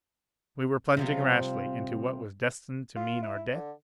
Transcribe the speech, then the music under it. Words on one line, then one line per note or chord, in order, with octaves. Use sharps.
We were plunging rashly into what was destined to mean our death?
C3 F3 G3
F4
E4
D3